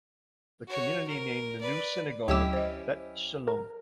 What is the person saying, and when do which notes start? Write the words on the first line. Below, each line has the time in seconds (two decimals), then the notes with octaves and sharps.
The community named the new synagogue "Bet Shalom".
0.68 F#4 C#5
1.08 A#4
1.61 B4 D5
2.28 D2 F#3 C#4 E4 G4 D6 E6
2.53 C5 D#5
3.48 A#4